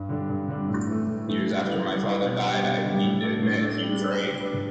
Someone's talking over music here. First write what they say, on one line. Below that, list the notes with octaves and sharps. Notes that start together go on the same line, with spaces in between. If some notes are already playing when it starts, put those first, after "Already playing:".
Years after my father died I need to admit: He was right.
Already playing: G2
D3 G3 D4
G2
D3 G3 D4
A2
E3 A3
A2
E3 A3
G3
E4 B4
G3
E4 B4
B2
G3 D4 G4
B2
G3 D4 G4
A2
A3 D4
A2
A3 D4
G3
D4 B4
G3
D4 B4